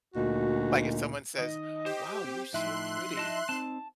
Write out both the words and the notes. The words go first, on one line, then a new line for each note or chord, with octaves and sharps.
Like, if someone says, "Wow, you're so pretty."
D2 A#2 D#4 F#4
D#3 D#4 D#5
G4 C5
C4
A2 F3 D#4 E4 E5 C6 F#6
D#5 A5
C4 D#4 A5